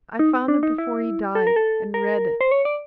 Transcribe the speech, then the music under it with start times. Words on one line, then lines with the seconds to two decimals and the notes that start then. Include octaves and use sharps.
I found it before he died--and read it.
0.19 D#4
0.48 D4
0.63 D#4
0.78 E4
1.35 A4
1.47 A#4
1.56 A4
1.94 A#4
2.41 C5
2.51 C#5
2.65 D5